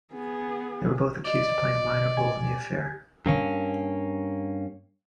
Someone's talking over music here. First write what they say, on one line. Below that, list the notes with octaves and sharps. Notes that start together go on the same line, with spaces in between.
They were both accused of playing a minor role in the affair.
B3 G#4
D5 D#5
G4 G#5 G#6
G2 A#3 C#4